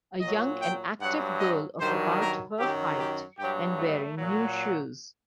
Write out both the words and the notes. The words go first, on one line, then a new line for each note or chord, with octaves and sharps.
A young and active girl of about her height, and wearing new shoes.
A#2 F#3 D#5
G5
G2 F#3 F#5
D#5
G2 D#3 F#3 C5
A#4
F#2 D#3 F#3 G4
G4
G2 F#3 G4
A3
A#2 F#3